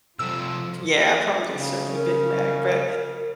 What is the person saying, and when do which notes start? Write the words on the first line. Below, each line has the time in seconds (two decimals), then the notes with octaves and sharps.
Yeah, probably just showing the Big Mac, but
0.19 C3 F3 A3 E6
1.55 C#3
1.90 A#4